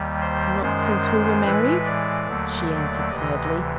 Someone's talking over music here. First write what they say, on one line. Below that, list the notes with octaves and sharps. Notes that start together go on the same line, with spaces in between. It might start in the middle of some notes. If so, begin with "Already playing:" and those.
"Not since we were married," she answered, sadly.
Already playing: D#2 D#3 G3
C5
F#2 D#3 G#3 C5
A2 E3 G#3 B4
D5
D#2 D3 F#3 A3
D2 C3 E3 D#5